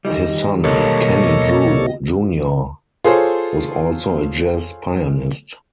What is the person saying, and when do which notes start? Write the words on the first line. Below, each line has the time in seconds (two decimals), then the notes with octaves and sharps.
His son, Kenny Drew, Junior was also a jazz pianist.
0.05 D#3 E3 G3 D#5
0.64 B1 A#3 A4 C#5 D#5
3.04 F4 G#4 A4 C5 C#5